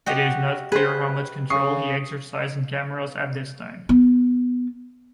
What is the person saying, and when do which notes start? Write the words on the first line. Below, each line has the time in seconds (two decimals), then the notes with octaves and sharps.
It is not clear how much control he exercised in Cameros at this time.
0.06 F#4 G4 D#5
0.72 G#4 B4 C5
1.50 C#3 C#6 D#6 C7
3.89 B3